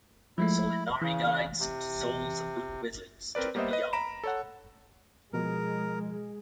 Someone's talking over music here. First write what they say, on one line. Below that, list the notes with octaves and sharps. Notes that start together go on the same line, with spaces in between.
Solinari guides the souls of good wizards to the Beyond.
F3 G#3 A3 E4
C#3 E3
C3
C4 A#4 B4 D5
G3 A#3 B3 C5 D#5 E5
B4 D#5
A#5 B5 D7 E7
A4 C#5 F#5
B2 F3 G#3 A#4